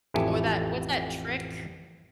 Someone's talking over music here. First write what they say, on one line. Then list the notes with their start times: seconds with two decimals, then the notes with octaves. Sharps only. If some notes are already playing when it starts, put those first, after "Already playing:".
Or that what's that trick?
0.14 A1 F2 E4 G4 A4 G#5